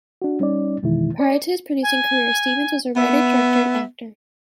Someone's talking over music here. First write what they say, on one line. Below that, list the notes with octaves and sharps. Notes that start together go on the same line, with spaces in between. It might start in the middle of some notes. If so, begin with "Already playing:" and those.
Prior to his producing career, Stevens was a writer, director, and actor.
D4 F#4
G3 C#4 D#4 D5
F2 B2 D#3 E3 G#3 E4
D5
G#5
B3 E5